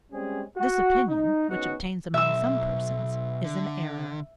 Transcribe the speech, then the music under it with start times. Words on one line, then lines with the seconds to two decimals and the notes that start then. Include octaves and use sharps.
This opinion, which obtains among some persons, is an error.
0.12 G3 G#3 C4 C#4 G#4
0.57 F#4
1.09 D#4
1.50 G#2 B3 C#4 D#4 F#4
2.14 B1 E5 E6
3.44 D3